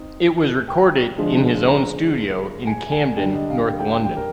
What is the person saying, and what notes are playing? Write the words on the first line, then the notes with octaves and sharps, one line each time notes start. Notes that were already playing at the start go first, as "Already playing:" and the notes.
It was recorded in his own studio in Camden, North London.
Already playing: C4 D#4
G5
D3 F3 G#3 D4
A#5
G#5
G#5
D3 G3 D4 G5
D#5
F5
G5
G5
G5
G5
A#4